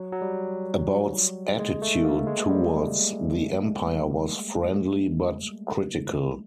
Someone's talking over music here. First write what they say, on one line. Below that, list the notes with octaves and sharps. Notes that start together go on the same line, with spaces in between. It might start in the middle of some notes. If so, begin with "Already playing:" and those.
About's attitude towards the empire was friendly but critical.
Already playing: F#3
F#3
G3
G#3
A3
A#3
G#3
G3